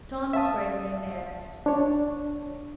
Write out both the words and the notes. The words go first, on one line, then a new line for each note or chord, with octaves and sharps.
John was gravely embarrassed.
E5 F5 A5 D#6
D4 C#5